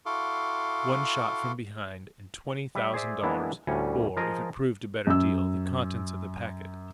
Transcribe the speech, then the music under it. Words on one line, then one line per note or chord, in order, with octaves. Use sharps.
One shot from behind,--and twenty thousand dollars,--or, if it proved a better deal, the contents of the packet.
E4 F#4 A4 F5 C6 D6
G3 E5
G#4 C5 D5 E5
E3 G#3 A#3 B3 D4 E4
D2 A2 G3 C#4 G#5
F3 F4 G#4 A#4 D#5
F#2 E6